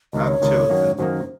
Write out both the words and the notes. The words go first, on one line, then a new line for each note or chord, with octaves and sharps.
I've chosen
C#2 C3 D#3 D#5
C#5
C#2 C3 D#3
F#2 D#3 A#3
F#2 D#3 A#3 C5